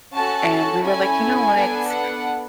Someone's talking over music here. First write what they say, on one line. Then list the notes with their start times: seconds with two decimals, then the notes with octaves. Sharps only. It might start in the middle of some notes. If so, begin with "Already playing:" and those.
and we were like, "You know what?
0.15 C#4 F#4 A4 A5
0.85 C#4 E4 A4 G#5
1.55 B3 D4 A4
1.90 F#5